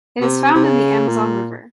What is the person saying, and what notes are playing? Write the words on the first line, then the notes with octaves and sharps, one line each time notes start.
It is found in the Amazon River.
C3
C3
C#3
A#2